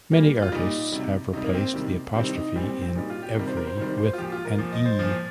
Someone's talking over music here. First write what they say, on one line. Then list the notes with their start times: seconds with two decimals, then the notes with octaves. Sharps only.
Many artists have replaced the apostrophe in "ev'ry" with an "e".
0.12 A#2 G3 A#3
0.42 F4
0.52 A#2 G3 D#4
0.92 C3 G3
1.33 C3 G3 D#4
1.44 A#3
1.54 C4
1.74 C3 D#3 G3
2.15 C3 D#3 G3 C4
2.35 D#4
2.56 A#2 G3 C4
2.69 C4
2.82 C4
2.96 A#2 G3 D#4
3.10 F4
3.23 G4
3.36 C3 D#3 G3 A#4
3.48 C5
3.57 A#4
3.67 C5
3.77 C3 D#3 G3 C5
3.98 C5
4.13 F4
4.18 A#2 F3 G4
4.32 F4
4.45 A#4
4.58 A#2 F3
4.72 D#5
4.86 C5
4.99 A#2 F3 C5